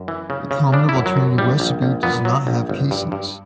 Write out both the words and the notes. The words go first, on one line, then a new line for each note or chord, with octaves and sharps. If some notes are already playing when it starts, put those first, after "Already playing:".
A common alternative recipe does not have casings.
Already playing: F#2
E3
C#3
C#3
C#3 D4
E4
F#2
F#3
F#2
A#1 G3
A#1
A#1
A#2 B3
F#3
A#1
G1
G2
G2